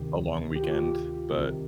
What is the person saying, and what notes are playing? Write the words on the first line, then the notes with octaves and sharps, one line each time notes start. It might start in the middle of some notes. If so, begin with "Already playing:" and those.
a long weekend. But,
Already playing: D2 C3 D#3 G4
G4
F4
G4
C2 C3 D#3